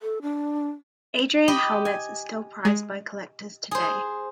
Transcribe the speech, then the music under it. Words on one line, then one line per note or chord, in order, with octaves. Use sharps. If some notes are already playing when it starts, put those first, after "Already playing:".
Adrian helmets are still prized by collectors today.
A4
D4
G4 D#5 B5
G#5
G#3
G#4 C5